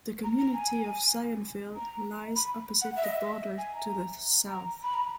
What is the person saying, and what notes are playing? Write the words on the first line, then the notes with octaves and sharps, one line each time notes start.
The community of Zionville lies opposite the border to the south.
A#5
A#5
G#5
A#5
B5
F#5
E5
D#5
E5
G#5
A#5
A#5
B5
A#5